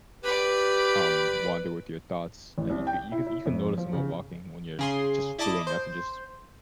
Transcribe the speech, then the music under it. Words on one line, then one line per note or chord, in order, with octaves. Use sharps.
um, wander with your thoughts, like you could you could you can notice them while walking when you're just doing nothing, just
G4 B4 D5 B5
A1
C2
G5
E4
E4
F2
F3
C#3
C#3 G#4 C6
E4 D5 D#5 A5 D6
C5